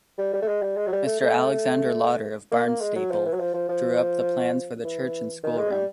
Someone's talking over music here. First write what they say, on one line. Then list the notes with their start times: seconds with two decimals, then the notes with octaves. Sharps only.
Mister Alexander Lauder of Barnstaple drew up the plans for the church and schoolroom.
0.18 G3
0.33 G3
0.42 A3
0.48 G#3
0.62 G3
0.77 G#3
0.87 F#3
0.92 G3
1.06 A3
1.20 A3
2.52 A#3
2.67 A#3
2.81 G#3
2.95 F#3
3.11 F3
3.25 E3
3.33 F#3
3.40 F3
3.54 F3
3.69 F3
4.85 E3
5.43 D#3
5.57 G#3
5.72 G3